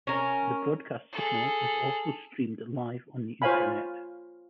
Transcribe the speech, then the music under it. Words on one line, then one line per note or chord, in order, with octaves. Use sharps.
The broadcast signal is also streamed live on the internet.
C#4 A#4
G#4 A4
F4 C5 C#5 F5 G#5 B5